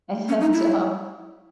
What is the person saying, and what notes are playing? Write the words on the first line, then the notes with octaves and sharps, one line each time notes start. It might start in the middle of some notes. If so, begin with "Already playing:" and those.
and, um
C#4
D#4
E4